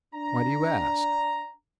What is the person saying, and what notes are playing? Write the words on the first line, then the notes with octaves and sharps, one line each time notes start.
"Why do you ask?"
D4 A#5